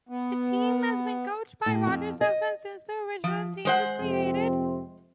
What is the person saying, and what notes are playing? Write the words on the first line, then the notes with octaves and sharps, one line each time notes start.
The team has been coached by Roger Stephens since the Richland team was created.
B3
A2
F2
D#5
F3
G#3 C5 F#5
F2 C3 C4